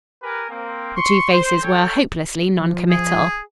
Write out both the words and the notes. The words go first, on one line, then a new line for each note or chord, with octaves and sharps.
The two faces were hopelessly non-committal.
G4 A#4 B4 G#5
A#3 C4
C6 C#6
C5
A4 C#5 G5
F3
G#4